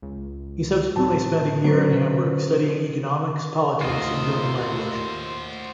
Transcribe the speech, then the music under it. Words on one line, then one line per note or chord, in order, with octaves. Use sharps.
He subsequently spent a year in Hamburg studying economics, politics, and German language.
C#2
A2 C4 A5
D3 F#3 C#4 B4 C5
D#2 A2 F4 F#4 C5 D#5